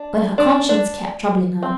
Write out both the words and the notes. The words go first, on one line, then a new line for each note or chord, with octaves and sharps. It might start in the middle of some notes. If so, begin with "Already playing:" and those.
But her conscience kept troubling her.
Already playing: D4
D4
D4
C4